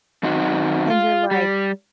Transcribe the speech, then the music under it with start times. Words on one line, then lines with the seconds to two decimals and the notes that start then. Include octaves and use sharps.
and you're, like,
0.23 F#2 D#3 C4 D#4 F#4
0.90 F4
1.31 G3